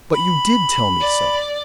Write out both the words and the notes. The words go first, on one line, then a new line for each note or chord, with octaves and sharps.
"But you did tell me so."
B5
D5